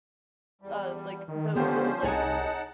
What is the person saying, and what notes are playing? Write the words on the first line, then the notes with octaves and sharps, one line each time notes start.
uh, like those little like,
E2 G3
D#3
D3 F3 B3 C#4 G4 C5
C2 D#4 G#4 C#5 F#5 G#5 A5